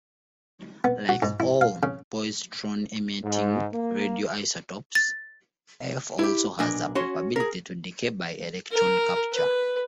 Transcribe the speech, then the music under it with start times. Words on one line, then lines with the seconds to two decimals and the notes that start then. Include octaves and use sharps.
Like all positron-emitting radioisotopes, F also has a probability to decay by electron capture.
0.84 B3
1.09 F#4
1.22 G#2
1.40 E4
1.61 F5
1.83 C#3
3.24 G#2
3.73 A#3
4.95 A6
6.19 E4 G4
6.59 B1 A#2 D4 D#5 G#5
6.95 C#4 F#4 C#5 C6
7.36 G#4 A#4
8.71 A#4
9.32 B4